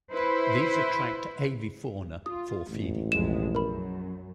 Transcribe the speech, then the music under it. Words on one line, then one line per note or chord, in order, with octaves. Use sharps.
These attract avifauna for feeding.
E4 B4 C5
F4 D#6
A1 G#2
B1 F2 G#3 E7
F#2 A#4 B5